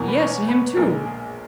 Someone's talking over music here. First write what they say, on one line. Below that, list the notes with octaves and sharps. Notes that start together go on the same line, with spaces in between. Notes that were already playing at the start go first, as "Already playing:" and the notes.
'Yes, and him too.
Already playing: E2 B2 A#3 A#4
B4
C#5
B4
A#1 A#2 G#3 A#4
G#4